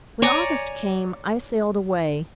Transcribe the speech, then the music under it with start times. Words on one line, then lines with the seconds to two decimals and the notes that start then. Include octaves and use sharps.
When August came I sailed away.
0.22 C#5 D5 G#5 A#5